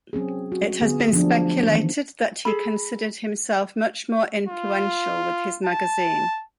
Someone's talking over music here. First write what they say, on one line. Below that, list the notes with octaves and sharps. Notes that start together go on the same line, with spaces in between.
It has been speculated that he considered himself much more influential with his magazine.
F#3 C4 C#4 G#4
F#4
D3 B3 G#4
F3 F#3 A3 D4
D#3 E3 B3
G#4 A4 B5
F4
A5